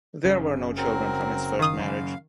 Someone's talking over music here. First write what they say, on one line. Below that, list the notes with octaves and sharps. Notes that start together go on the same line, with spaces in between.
There were no children from his first marriage.
F#1 C#3
F#3 C4 A#4
D#3 F5 D#6
F#2 C#3